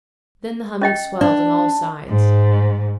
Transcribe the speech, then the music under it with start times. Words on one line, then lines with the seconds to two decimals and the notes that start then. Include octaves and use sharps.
Then the humming swelled on all sides.
0.82 C#4 D#5 G5
1.21 D4 D5
2.08 G#2